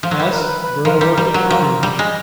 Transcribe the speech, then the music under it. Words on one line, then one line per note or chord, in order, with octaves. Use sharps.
"Yes; the girl worked it fine."
F3
F#3
G3 B4
A#4
B4
B4
F3 A#4
G3
G3
F#3
F3
G3
G#3